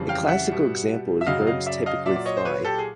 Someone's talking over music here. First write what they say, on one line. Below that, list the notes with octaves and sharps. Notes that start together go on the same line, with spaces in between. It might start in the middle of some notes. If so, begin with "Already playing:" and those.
A classical example is: "birds typically fly".
Already playing: F2 C#3 E3 G3
F5 G5
E5 F#5
B2 G3
E5
F#2 C#3 F#3 D#5 F5
D#5 F5
D5 E5
D#5 F5
A#2 F#3 D5 E5
D5
C#5 D#5
C5
B4 C#5
G4 A4
G#4